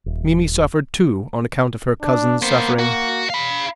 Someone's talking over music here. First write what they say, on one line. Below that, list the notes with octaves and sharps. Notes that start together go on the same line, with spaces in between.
Mimi suffered too on account of her cousin's suffering.
D#1
D4
A#3 B3 C5
F#4
F5 B5